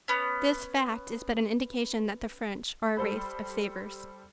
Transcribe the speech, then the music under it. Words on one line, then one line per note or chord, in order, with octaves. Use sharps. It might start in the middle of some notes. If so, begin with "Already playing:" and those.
This fact is but an indication that the French are a race of savers.
B3 C#4
G3 A4 C5 B5